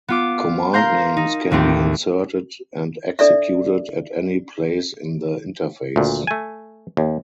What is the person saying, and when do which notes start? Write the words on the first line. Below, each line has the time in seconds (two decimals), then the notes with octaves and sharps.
Command names can be inserted and executed at any place in the interface.
0.08 B3 F4 D6
0.73 A#4 F5 A#5 C6 G6
1.17 D#4
1.51 A1 D#2 A3 C4 G4
3.19 D4 A4 D5 E5
5.96 D2 A#2
6.27 A3 G#5
6.97 D#2